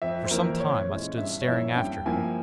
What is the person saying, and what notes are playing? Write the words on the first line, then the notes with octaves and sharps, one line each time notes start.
For some time I stood staring after him.
F2 E5
C5
E3 A#3 E4 A#4
A#2 C#5
G#3 C#4 E4
G2 E5
C#5
F3 A#3 E4 E5
G2 G5
F3 A#3 E4 G#5